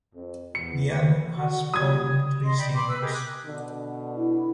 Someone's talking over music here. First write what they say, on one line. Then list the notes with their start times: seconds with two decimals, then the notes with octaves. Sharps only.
The album has spawned three singles.
0.15 F2
0.55 E2 C#7
1.37 F#4
1.74 A#2 F#3 G3 D#6 G#6
2.44 D#5 C6
2.58 D5 D#5 G5 B5
2.74 B5 C6 D6
2.87 B4 E6
3.00 G4 G#4 A#4 D#5
3.12 D6 F#6
3.45 B2 D3
4.16 E4